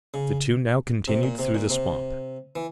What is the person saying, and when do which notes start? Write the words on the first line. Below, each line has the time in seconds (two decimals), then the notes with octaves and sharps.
The two now continued through the swamp.
0.14 C#3
1.08 C3
1.23 A#2
1.39 C3
1.54 A#2
1.70 C3
2.56 E3